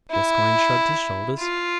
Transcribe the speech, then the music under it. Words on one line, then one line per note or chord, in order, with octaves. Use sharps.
Gascoyne shrugged his shoulders.
E4
F4